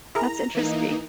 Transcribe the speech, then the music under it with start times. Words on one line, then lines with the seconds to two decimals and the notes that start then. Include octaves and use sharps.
that's interesting.
0.15 E4 G#4 A#4 A#5
0.55 E3 A#3 D#4